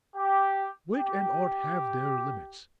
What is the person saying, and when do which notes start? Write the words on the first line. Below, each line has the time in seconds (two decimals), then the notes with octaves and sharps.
Wit and art have their limits.
0.16 G4
0.95 G4